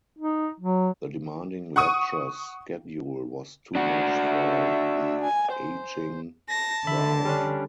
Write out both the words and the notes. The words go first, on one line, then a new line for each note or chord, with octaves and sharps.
The demanding lecture schedule was too much for the ageing Froude.
D#4
F#3
F#5 C#6 D#6 D#7
D4 F#4
E5
G#5
C5
A5 A#6
D3 E5 B5
G3 C#4 D4